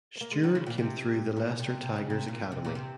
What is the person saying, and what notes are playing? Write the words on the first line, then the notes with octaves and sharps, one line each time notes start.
Steward came through the Leicester Tigers academy.
A#3
G#3
D#3 F#3
C#3 F3
A#2
C3
A#2
C3
C3
C#3
C3
A#2
C3
A#2
C3